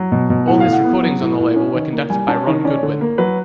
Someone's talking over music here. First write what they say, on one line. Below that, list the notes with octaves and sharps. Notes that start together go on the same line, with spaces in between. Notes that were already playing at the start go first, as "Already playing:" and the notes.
All his recordings on the label were conducted by Ron Goodwin.
Already playing: F#3
B2
B2
A2 F#5
F5
A2
F#5
B3
F#3
A2
A2
C#4
D#3
A#3
G3 G#5
C#4 A5
D#3 D#5
C#4 D5
D3 C#5
A#3
F#3 B4